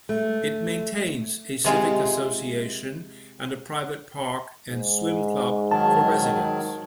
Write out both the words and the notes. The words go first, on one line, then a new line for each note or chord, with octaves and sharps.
It maintains a Civic Association and a private park and swim club for residents.
A3
C3 G#3 F4
G#2
D#3 F#3 A5